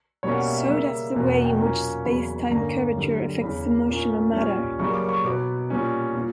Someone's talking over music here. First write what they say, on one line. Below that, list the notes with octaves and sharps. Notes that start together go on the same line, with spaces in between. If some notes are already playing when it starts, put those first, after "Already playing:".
So does the way in which spacetime curvature affects the motion of matter.
B2 G3 A#3 C#4 C#5
F#5
E5
E5
C#3 G3 A#3 E5
E2 B2 A#3 C#4
F#5
G5
A#2 F#3 A#3 C#4 A#5
E2 C#3 F#3 A#3 C#4 B5
G2 D3 A#3 C#4 A#5
F#2 D3 G3
E2 C#3 E3 B5
A#2 A#3 C#4
A#2 G3 C#4
F#2 C#3 G3 A#3 C#6
D6
C#6
B2 F#3 B3 D6
A#2 G3 C#4
A#2